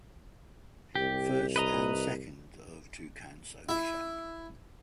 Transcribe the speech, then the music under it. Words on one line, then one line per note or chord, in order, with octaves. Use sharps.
First and second of two counts only shown.
C2 G4
B4 D#5 A#5
E4